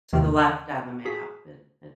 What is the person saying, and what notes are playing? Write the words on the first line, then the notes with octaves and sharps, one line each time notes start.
to the left on the map. It it's
D#2 C3 D#3 G#3 A#3
F#4 G#4 B6